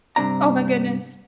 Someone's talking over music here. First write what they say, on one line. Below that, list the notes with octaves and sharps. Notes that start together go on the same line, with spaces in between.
Oh my goodness.
G2 C3 D4 D5 A#5